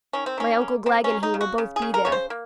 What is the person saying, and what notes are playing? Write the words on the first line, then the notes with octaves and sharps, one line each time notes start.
My uncle Glegg and he will both be there.
D#3 C#4
C4
D#3 C#4
A#3
A#3 C4
C#4
F#3
D#4
C#3
F#4
C#3
G#4
C#3
A#4
C#3 C#5
C5
A#3